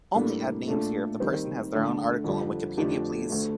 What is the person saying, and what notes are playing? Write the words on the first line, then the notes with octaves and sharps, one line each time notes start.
Only add names here if the person has their own article on Wikipedia, please.
A2 G3 A#3 D4 A4
A#2 A3 D4 A4
D#3 G3 C4
D3 A3 D4
F2 D3 G3
F2 D3 A3 D4 G4
D2 D3 A3